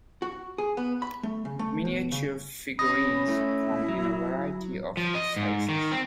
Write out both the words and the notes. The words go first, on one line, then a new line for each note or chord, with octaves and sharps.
Miniature figurines come in a variety of sizes.
F#4
G#4
B3
B5
A3
C#3
A3
B2
C#3
C#4 B5 D#6 A#6
A3 E4
F#3
F3
D#5
G#2
D#3
C4